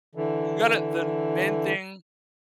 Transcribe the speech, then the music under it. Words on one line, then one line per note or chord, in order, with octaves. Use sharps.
You gotta the main thing
D3 E3